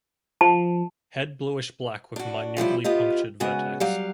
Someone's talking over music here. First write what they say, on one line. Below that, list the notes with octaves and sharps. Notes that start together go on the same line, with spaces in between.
Head bluish black with minutely punctured vertex.
F3 A5
D4 F#4
F#2 F3 G3 E4
B3 F4 G4 D#5
C#3 G#3 B3 F#4
F#3 G3 F5